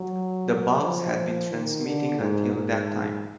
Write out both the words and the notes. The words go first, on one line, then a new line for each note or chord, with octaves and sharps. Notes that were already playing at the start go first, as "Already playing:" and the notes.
The bugs had been transmitting until that time.
Already playing: F#3
F3
D#3
D3
G#2
G#2